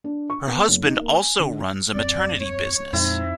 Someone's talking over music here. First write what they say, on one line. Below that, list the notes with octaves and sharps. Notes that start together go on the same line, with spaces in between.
Her husband also runs a maternity business.
D4
C#6
B3
F#1
D#4
A#3
G#5
D3
D#1 F#2 C4 D5
C#5
F2 A#2 G#3 C4 D#4 E4